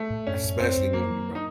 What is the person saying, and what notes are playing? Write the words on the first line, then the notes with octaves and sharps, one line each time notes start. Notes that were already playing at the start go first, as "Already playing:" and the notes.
Especially women, bro.
Already playing: A3
A2
F#2 C#4
F#2
F#2 C4
F#2
F#3 A#3
F#3
D#4